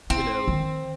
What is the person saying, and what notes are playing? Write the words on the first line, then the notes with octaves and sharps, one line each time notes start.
you know,
C4 E4
D#3